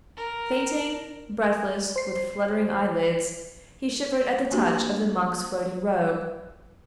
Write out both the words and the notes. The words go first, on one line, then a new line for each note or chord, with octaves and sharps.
Fainting, breathless, with fluttering eyelids, he shivered at the touch of the monk's floating robe.
A#4
C5 C7
A#3 D4 F#4 G4